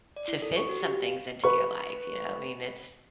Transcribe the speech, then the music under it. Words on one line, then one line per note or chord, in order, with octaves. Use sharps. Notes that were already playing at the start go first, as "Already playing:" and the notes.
to fit some things into your life, you know, I mean, it's
D5
E4
A4
C#6
F#4
G4
F5
B4 C#6